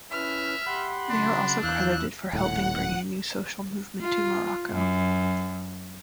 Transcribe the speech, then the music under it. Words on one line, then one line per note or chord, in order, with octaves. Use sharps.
They are also credited for helping bring a new social movement to Morocco.
C#4 E4 B4 E5 F6
G4 F#5 B5 C6
C#3 F#3 D4 C6
E2 F5 E6 F#6 G6
D#1 A2 F#5
F4
F#2